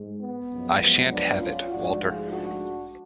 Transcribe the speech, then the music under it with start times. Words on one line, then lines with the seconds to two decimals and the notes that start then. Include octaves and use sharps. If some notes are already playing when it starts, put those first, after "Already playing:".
'I shan’t have it', Walter.
Already playing: G#2 G#3
0.19 B3
0.49 F#2 C#3 F3 G#3
0.79 B3
1.09 B3 D4
1.39 C#4 F4
1.69 G#2 F3 A3 D4 F#4
1.99 F4 G#4
2.29 D4 F#4